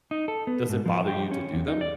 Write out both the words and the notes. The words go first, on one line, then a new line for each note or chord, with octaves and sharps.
does it bother you to do them?
D#4
A4
B3
G#2
F3
G4
C#4
E2
D#4
D5